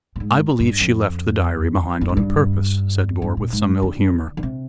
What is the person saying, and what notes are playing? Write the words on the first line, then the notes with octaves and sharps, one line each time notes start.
"I believe she left the diary behind on purpose," said Gore, with some ill-humor.
A#2
G#2
G2
F2
G2
G#2
G2
G2
A#2
G#2
D3
D3
C3